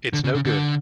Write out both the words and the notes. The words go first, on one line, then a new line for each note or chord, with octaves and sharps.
It's no good.
D3
C#3
C#3
D3